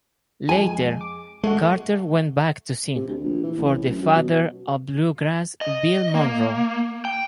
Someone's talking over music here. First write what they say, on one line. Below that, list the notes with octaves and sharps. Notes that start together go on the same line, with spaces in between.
Later, Carter went back to sing for the "Father of Bluegrass", Bill Monroe.
F2 G#3 G#5
D6
G#3 A3 F#4
C3
D2
A#1
E3
A1
F#2
F#3
B2
D#5
A#3
G5